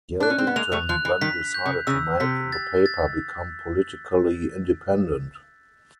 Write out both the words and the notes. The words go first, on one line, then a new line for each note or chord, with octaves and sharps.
Yelvington then decided to make the paper become politically independent.
D4 F#6
C#4
C4
B3
G#3 A#3 F7
G3 A3
F3 F#6
E3
D#3 B6
G6
C#3
C#3 E6
C3 B6
A6
A6